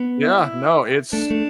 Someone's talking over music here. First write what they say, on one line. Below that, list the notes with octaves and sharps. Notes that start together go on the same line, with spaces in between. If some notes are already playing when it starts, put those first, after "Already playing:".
Yeah, no, it's
Already playing: B3
E4
A3 D4
A3